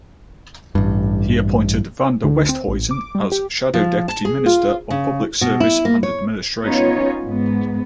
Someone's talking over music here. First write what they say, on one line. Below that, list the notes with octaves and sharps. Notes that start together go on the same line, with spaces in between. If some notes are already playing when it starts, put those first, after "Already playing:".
He appointed Van der Westhuizen as Shadow Deputy Minister of Public Service and Administration.
A1 G2
D2
C4
A1
D6
G3
G4
F3
A5
G#4
F4
C#3
B2
E4
A#3
C#5
B3 C#4 D#4 F4 C#5
G#2 B3